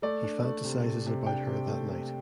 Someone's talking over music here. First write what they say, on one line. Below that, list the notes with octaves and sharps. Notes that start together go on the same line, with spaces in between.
He fantasizes about her that night.
A3 D5
D4
A3
C3
A3
C3
D4 G5
C3
A3
C3